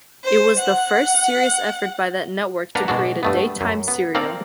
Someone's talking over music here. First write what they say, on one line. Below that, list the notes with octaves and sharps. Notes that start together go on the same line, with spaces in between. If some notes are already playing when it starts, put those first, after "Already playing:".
It was the first serious effort by that network to create a daytime serial.
C5
F#5
A#3 D4 B4 F#5 A#5
B2 G#3 D4 F#4
G2 A3 B3
F#2
B3
A#3 C4 A4 D5 F5